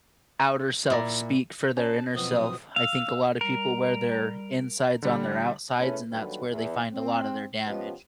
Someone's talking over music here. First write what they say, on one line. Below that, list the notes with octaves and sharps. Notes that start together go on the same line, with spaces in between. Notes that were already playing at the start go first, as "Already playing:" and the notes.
outer self speak for their inner self, I think a lot of people wear their insides on their outsides, and that's where they find a lot of their damage.
A#2 E4 D5 A#5
C#4 A5
F2 B2 F3 F#3 C4 D#6
F5 E6
G3 A#4
D3 G3
A3 C#4 E4 G#4 B4
D#2 D3 F#3 G3 B4
E2
C4
F3 B3 C#4 G4 D#5